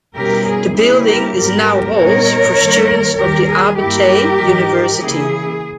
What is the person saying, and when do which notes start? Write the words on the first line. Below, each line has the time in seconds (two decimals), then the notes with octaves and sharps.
The building is now halls for students of the Abertay University.
0.16 B2 G3 C#4 E4 G4 A#4
0.46 G#4
0.77 C#3 G3 A#3 C#4 E4 G#4
1.06 G4 A#4
1.37 G#2 G3 B3 G4 A#4
1.97 A#2 G3 B3 D#4 A#4 C#5
2.58 G2 D#3 G3 A#3
3.18 D#2 D#3 G3 G4 A#4
3.49 G#4
3.79 G2 G3 A#3 E4 G4 A#4
4.40 G#2 E3 G#3 D#4
5.00 C#3 E3 A#3 E4 G#4